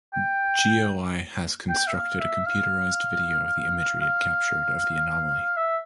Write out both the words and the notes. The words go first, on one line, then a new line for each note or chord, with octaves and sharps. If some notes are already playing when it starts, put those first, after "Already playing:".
GeoEye has constructed a computerized video of the imagery it captured of the anomaly.
G5
G5
E5
F5
E5
F5
F5
E5